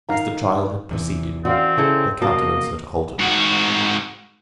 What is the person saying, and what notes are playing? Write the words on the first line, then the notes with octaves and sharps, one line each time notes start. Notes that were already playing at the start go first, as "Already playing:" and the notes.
As the trial had proceeded, her countenance had altered.
D#3 D#4 F5 A#5
E2 C3 E3
E3 C4 C#4 F#4 D5 F5
C#3 C#4 E4 G#4 A4 C5
F#2 C3 A#3 F#4 D#5 F5 A5
G#2 F#4